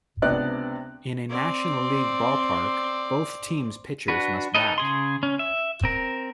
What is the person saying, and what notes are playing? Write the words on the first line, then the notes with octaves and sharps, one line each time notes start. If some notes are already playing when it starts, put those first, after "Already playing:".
In a National League ballpark, both teams' pitchers must bat.
C#2 C3 B3 D4 D5 F#6
C4 D5
D4 F#4 B4
D#4 A4 B4 D#5
C#3 G#4 C6
C#4
E5
C4 A#4